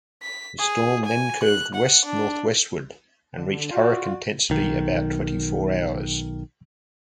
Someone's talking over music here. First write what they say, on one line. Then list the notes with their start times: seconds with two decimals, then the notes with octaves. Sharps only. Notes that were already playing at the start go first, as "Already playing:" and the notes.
The storm then curved west-northwestward and reached hurricane intensity about twenty four hours.
0.22 B6
0.58 G#4
1.05 G#5
1.43 F#6
1.74 F#5
2.05 D4
3.37 D3
3.71 F4 F#4 D5
4.50 B1 D#3